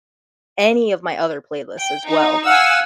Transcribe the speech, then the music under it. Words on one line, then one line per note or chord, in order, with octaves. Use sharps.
any of my other playlists as well,
G5
D#4
F5 F#5 G#5 E6